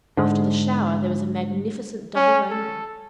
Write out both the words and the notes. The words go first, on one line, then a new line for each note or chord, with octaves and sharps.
After the shower there was a magnificent double rainbow.
G#2 D3
C#4
A4